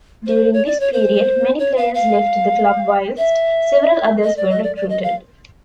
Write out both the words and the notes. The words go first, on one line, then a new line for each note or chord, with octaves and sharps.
During this period, many players left the club whilst several others were recruited.
C5
C#5
D5
C#5
C5
C#5
F5
F5
E5
D#5
D5
D#5
D5
D5
D#5
F5